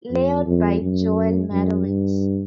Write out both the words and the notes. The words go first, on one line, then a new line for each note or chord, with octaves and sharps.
Layout by Joel Marrowitz.
F2
F2
F#2
F#2
G2